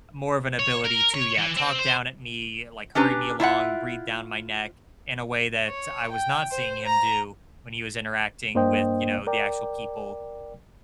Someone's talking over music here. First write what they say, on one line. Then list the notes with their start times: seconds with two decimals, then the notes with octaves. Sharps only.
more of an ability to, yeah, talk down at me, like hurry me along, breathe down my neck in a way that I was not seeing him do when he was interacting with, you know, the actual people
0.59 C#5
0.85 A#4
1.14 C#5
1.38 E3
1.57 C4
1.79 C5
2.95 C#4 D4 G4 B4 A#5
3.40 E4 F4 E5 F#5
5.66 C#5
6.11 G5
6.51 C5
6.86 A#5
8.55 G2 A#3 D4 C5 D#5 G5
9.27 A#4 D5 G5